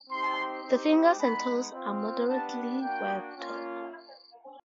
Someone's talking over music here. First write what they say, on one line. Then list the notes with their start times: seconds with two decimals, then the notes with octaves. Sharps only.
The fingers and toes are moderately webbed.
0.10 C4 D#4 G4 C6
0.64 C4 D#4 G4
1.18 G#3 B3 D#4 B5
1.73 C4 F4
2.27 B3 D4 G4 A5
2.81 A#3 D4 F#4 G5
3.35 A#3 C#4 F4